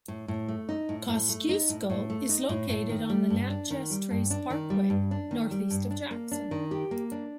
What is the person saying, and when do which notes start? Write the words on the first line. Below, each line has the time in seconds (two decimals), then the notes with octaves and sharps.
Kosciusko is located on the Natchez Trace Parkway, northeast of Jackson.
0.08 A2
0.28 A2
0.48 A3
0.69 D#4
0.89 A2
1.09 A2
1.29 A3
1.49 D#4
1.69 A2
1.90 A2
2.10 A3
2.29 D#4
2.49 A2
2.69 A2
2.89 D#3
3.09 G3
3.30 G2
3.50 D4
3.71 D#3
3.90 G3
4.11 G2
4.31 D4
4.50 D#3
4.70 G3
4.90 G2
5.11 D4
5.31 D#3
5.51 G3
5.71 G2
5.91 D4
6.11 A#3
6.31 D4
6.51 D#3
6.71 G4
6.91 A#3
7.12 D4